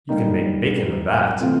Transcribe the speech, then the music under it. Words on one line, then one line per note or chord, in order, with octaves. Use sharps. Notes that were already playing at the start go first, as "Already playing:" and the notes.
You can make bacon of that.
D3 G3 A#3 D#4
C3 E3 A3 C4 F4